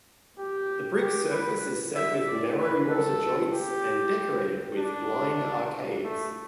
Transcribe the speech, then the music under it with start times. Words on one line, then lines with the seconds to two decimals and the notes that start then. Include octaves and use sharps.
The brick surface is set with narrow mortar joints and decorated with blind arcades.
0.38 G4
1.00 G4
1.32 B4
1.95 E5
2.27 D5
2.58 B4
2.89 A4
3.53 G4
4.78 D4
6.04 A3